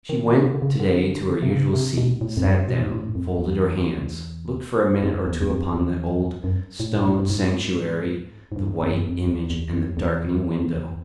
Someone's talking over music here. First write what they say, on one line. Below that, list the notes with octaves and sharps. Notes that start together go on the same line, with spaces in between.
She went to-day to her usual seat, sat down, folded her hands, looked for a minute or two upon the old stone sanctuary, the white image and the darkening window.
D#3
D#3
C3
D3
C#3
D3
C3
C#3
C3
B2
A2
F2
F#2
B2
G#2
A2
F2
E2
F2
E2
E2
F2
E2
F#2
A2
A2
G#2
G2
G#2
G#2
G2
F2
F#2
F2
E2
E2
F2
E2